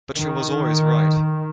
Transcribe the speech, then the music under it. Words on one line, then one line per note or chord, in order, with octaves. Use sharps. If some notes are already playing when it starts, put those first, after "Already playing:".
But she was always right.
D#3